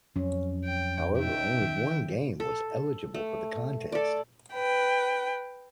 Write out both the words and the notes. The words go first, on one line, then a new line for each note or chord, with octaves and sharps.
However, only one game was eligible for the contest.
F2 F#3 C#4
G5
D#4 E5 G5
D#3
A4
A3
A4 D5
B4 G5